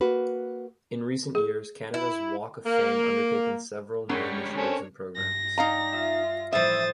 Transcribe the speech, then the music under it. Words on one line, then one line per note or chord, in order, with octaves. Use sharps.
In recent years, Canada's Walk of Fame undertaken several new initiatives and programs.
A#3 F#4 B4
G#4
E4
A#3
F#2 G3 G#3 D4 A#4 C#5
C4 C#4 A4
G2 A#6
D#4 D5 F5 G5 A#5 A6
F4 E5 D#6 F6
A2 E3 F3 G3 C5 E5 D#6 A6